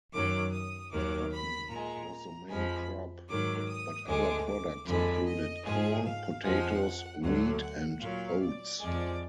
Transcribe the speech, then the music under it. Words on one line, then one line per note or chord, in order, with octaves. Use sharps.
Cotton was the main crop, but other products included corn, potatoes, wheat, and oats.
F#2 D#3 F#3 D6
D#6
D#2 D#3 F#3 D6
B5
A#2 A#5
G#3
F2 F3 G#3 B5
G#2 D#3 F#3 D6
D#6
D2 D3 G#3 D6
D6
F2 D3 G#3 B5
D#5
G#2 F3 G#3 G#4
F5
F2 F3 G#3 F#5
D2 D3 F#3 F#5
F#5
A#2 F#3 F5
D5
F2 F3 G#3 D5